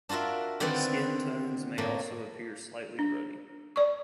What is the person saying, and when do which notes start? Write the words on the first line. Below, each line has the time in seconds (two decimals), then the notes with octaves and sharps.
Skin tones may also appear slightly ruddy.
0.09 D4 F4 F#4 A#4 E5
0.60 D3 D#3 B3 C4 B4 D5
1.78 A2 A#3
2.99 D4
3.76 D5 C#6